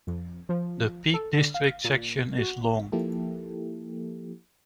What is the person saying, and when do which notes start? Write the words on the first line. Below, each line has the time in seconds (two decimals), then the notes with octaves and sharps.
The Peak District section is long.
0.07 F2
0.49 F3
1.14 A4
1.33 D3
1.54 F5
1.84 A#2
2.38 F#4
2.92 F3 A#3 E4 G4 A4